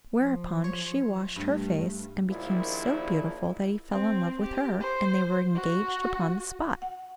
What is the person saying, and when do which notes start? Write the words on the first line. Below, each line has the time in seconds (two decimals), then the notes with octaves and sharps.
Whereupon she washed her face, and became so beautiful that he fell in love with her, and they were engaged upon the spot.
0.17 F3
0.64 C#5
1.36 G2 G3 A3
2.30 A#1 D#2 A#2 F3 E4
3.92 C4
4.41 G4
4.80 C5
5.55 F#4
6.82 F#5